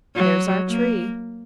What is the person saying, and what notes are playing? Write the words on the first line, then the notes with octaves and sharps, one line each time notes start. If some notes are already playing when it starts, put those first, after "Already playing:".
"There's our tree."
F#3
A#3